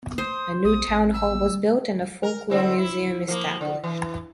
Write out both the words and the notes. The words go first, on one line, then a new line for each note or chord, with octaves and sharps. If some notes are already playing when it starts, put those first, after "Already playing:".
A new town hall was built and a Folklore Museum established.
C5 D#6
A#1 D#6
A1
E6
A#4
D3 C4 E4
E4
F3 A#3
D3
E3